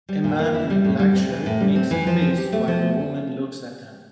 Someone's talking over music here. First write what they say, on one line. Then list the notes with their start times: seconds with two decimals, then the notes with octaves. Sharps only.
A man in a black shirt makes a face while a woman looks at him.
0.09 G3
0.24 A#2
0.39 A#3
0.54 E4
0.70 G3
0.84 A2
0.99 G3
1.15 C4
1.30 E3
1.46 A2
1.60 G3
1.76 C4
1.91 E3
2.07 F3
2.22 C4
2.38 G4
2.53 A3
2.68 F3